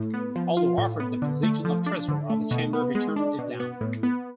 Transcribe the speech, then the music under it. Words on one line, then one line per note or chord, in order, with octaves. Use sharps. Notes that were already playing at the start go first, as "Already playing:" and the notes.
Although offered the position of Treasurer of the Chamber he turned it down.
Already playing: A2
B3
F3
F4
A2
B3
D3
A3
F3
D4
D3
A3
B2
B3
G#3
D4
B2
B3
A2
B3